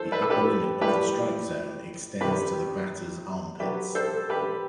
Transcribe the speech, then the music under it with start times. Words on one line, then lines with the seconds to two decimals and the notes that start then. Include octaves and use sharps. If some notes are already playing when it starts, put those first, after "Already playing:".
The upper limit of the strike zone extends to the batter's armpits.
Already playing: A2 A4 C5
0.12 B4
0.22 A4
0.30 G4 B4
0.81 A2 G3 G4 B4
2.21 C3 D#3 G3 G4 B4
3.60 C3 F#3 G4 B4
3.95 A4 C5
4.30 G4 B4